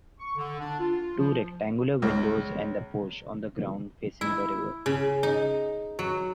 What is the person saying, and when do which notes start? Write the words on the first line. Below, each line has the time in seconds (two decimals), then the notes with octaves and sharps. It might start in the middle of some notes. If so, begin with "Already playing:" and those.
Two rectangular windows and the porch, on the ground, facing the river.
0.20 C#6
0.37 D3
0.60 D4
0.80 F4
1.18 F3
2.02 C#2
4.21 E4
4.86 C#3
5.23 D#4
5.99 F#3